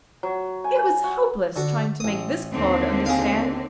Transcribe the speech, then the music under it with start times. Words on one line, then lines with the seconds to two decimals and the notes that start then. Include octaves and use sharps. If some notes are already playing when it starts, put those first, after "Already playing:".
It was hopeless trying to make this clod understand.
0.23 F#3
0.64 G#5
0.79 G#5
1.04 F#4
1.56 D3 F#4
2.00 A1 D#6
2.52 D#2 D3 C4
3.06 G#4 F5